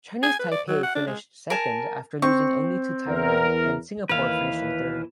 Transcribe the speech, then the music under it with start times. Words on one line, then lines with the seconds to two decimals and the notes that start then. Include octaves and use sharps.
Chinese Taipei finished second after losing only to Thailand and Singapore finished in third.
0.23 G#5
0.39 B4
0.51 D5
0.68 F#3
0.83 F#5
0.95 D4
1.07 G#3
1.50 A#4 G#5 A5
2.22 C4 C#6
3.07 E2 A#4
4.09 D#2 E3 B4 F5